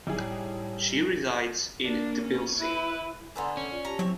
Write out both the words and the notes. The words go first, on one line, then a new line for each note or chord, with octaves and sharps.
She resides in Tbilisi.
D1 A2 G3 D#4 E4 G#4
A#3 D4
C#4
E4 B4
D3 B3 A4 G#5 A#5 C6
C#4
F4 D5
G4 A5 A#5
F#3 C4 E4 C#5 E5